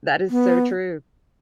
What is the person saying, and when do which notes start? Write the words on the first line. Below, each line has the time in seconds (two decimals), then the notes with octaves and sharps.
That is so true.
0.30 B3